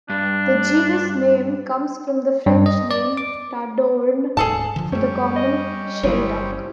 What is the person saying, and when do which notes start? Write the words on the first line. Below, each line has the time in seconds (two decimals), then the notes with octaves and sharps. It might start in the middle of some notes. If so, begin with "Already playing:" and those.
The genus name comes from the French name "Tadorne" for the common shelduck.
0.10 G2 D4
2.46 G2
2.66 D#5
2.91 D5
3.17 D6
4.37 D1 G#2 G#4 A4 A5
4.76 D3 F3
4.92 F#2 G3 A3 C#4
5.36 D#5
6.03 G1 F#3 E4 G4 C5